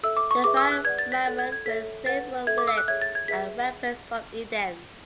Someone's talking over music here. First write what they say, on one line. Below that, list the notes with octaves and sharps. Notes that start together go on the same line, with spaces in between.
They find Mammon with several relics and weapons from Eden.
A4 E5 E6
D6
C#6
G#4 B4 E5 D6
E6
F#6
B4 D5 F#5 G#6
A6
B6
A4 C#5 F#5 A6
G#6
G#6
A4 C#5 E5 B6
B4 F#5 A6
A4 E5 G#6
D6
E6
F#6
G#4 C#5 E5 G#6
A6
G#6
G#4 B4 E5 B6